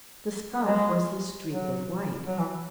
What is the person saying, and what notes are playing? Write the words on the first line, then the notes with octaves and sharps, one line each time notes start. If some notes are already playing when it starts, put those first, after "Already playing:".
The scarf was the streak of white.
B3
G#3
F#3
F#3
E3